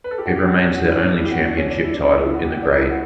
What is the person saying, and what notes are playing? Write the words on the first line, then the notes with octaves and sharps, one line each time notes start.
It remains their only championship title in the grade.
B4
A4
G4
F#4
G4
F#4
C#4
D4
F#4
E4
C#4
D4
E4
G4
F#4
D4
C#4
D4
E4
D4
C#4
E4
F#4
G4
F#4
D4
E4
F#4